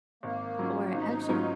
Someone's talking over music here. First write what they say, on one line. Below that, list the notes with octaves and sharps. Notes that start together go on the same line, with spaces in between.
or actually
G#1 A#3
G#2 F#3 C#4 F4
G#1 D#4
G#2 F#3 C#4 F4